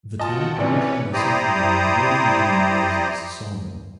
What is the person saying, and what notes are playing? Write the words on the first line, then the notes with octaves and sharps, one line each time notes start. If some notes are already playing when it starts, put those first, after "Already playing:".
The town originally centered around William G. Miles's Sawmill.
F4 F#4 D#5 F#5 G5 A5
A1 C3 E3 C#4 D4 B4 C#5
E4 G4 C5 D5 A#5 D#6